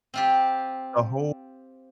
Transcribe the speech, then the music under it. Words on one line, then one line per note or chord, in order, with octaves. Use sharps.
the whole
C4 F4 G4